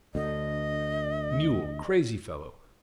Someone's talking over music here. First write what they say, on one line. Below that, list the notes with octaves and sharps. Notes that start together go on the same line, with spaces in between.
Mule! Crazee fellow!
D2 D3 D#5